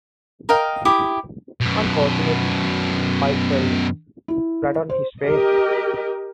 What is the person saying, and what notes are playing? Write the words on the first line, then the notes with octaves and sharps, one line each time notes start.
Unfortunately, Pike fell in, flat on his face.
A#4 D#5 F5 G5
E4 G4 D6 D#6
F#2 B2
E4
C5
G4 A#4 D#5